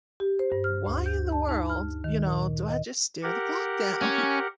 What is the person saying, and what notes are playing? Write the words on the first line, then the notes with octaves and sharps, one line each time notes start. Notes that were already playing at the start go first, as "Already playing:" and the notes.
why in the world, you know, do I just stare the clock down?"
G4
C5
G2
F6
D2
G6
A5
D#4
F6
D#3
A#2
D#5
G4 A#4 F#5
C#4